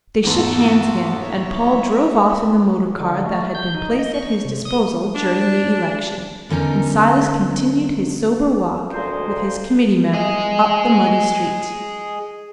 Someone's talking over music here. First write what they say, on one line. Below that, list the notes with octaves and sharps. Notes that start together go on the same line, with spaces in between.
They shook hands again, and Paul drove off in the motor car that had been placed at his disposal during the election, and Silas continued his sober walk with his committee-men up the muddy street.
E2 G#2 F#4 A4
C#5 E5
D3
A3
G6
D#4
D#5
C#6
C3
D#6
D4
E2 D3 C#4 D#4 A#4
D2 A#2 G#3 C5
G#4 D#5